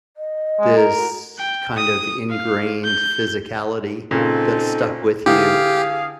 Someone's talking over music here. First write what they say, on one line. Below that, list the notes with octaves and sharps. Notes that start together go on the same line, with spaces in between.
this, kind of, ingrained physicality that stuck with you
D#5
G#3
A#4
F#4
G5
D#6
F5
G6
A#2 C#3 C4 D#4 A4
D3 E3 G4 G#4 F5